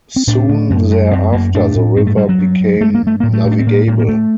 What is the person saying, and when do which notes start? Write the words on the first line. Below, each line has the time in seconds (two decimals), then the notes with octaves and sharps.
Soon thereafter the river became navigable.
0.16 C4
0.27 A2 D4
0.49 A2
0.70 F#2
0.90 F#2
1.11 F#2 C4
1.33 F#2 A#3
1.54 A2 D4
1.75 A2
1.96 G2 C4
2.07 A3
2.17 G2 G3
2.29 F#3
2.38 G2
2.60 G2
2.81 G2 A3
2.95 A#3
3.03 G2 A3
3.20 A2 A#3
3.33 A3
3.44 A2
3.52 D4
3.59 C4
3.66 A2 A#3
3.87 A2 A#3
3.99 A#3
4.08 A2 A3